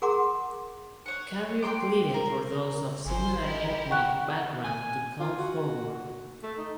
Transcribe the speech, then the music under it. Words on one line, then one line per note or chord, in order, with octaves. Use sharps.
Carew pleaded for those of similar ethnic background to come forward.
G#4 A#4 F#5 A#5 C6 D6
C#5 F#5
G5 A#5 C6 D6
A#4 F5
G#1 C5 G#5 C6
E4 G4 A#4 D#5
D3 F#5 G5 C#6 F#6
G#5
F4
F#4
A3
D#4